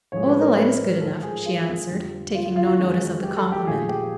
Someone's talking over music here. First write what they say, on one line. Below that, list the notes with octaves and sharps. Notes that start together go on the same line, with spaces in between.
"Oh, the light is good enough," she answered, taking no notice of the compliment.
A2 F3 G#3 C#5
B4
A#4
B4
G#2 F3 A3 A4
G#4
F4
F2 D3 G3
F4
F4
F4
F#4
F#2 D#3 G#3 F#4
G4
A4
G4
A#2 F3 A3 G#4
G4